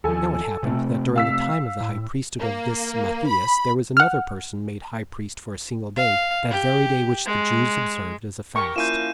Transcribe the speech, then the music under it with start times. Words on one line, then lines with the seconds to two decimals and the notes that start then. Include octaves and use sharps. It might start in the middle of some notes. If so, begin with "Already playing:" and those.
Now it happened, that during the time of the high priesthood of this Matthias, there was another person made high priest for a single day, that very day which the Jews observed as a fast.
0.04 D#2 F3 A4 G#5
0.63 C3 A3 C4
1.16 F5 E6 B6
1.81 A2
2.39 A#3
3.28 B5
3.97 F#5 F6
5.97 F5
6.51 G4
7.26 G#3
8.56 G4 A#4 C#6
8.76 F3 A#3 C#4 E4 F4 G6 D#7 E7